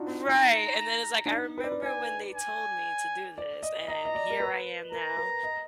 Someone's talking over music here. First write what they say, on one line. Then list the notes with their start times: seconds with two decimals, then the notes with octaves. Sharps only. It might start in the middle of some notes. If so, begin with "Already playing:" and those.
Right, and then it's like, "I remember when they told me to do this, and here I am now"
Already playing: D4 D#4 F4 F#4
0.28 D#4 A#5
1.26 D4
1.31 D#4
1.58 B4
1.64 D5
1.72 B4
1.83 D5 G#5
2.34 G#5
3.38 D5
3.63 D#5
3.88 D#5 A#5
4.05 D#5
4.15 D5
4.30 A#4
4.40 B4
4.92 A#4 A#5
5.17 B4
5.43 D#5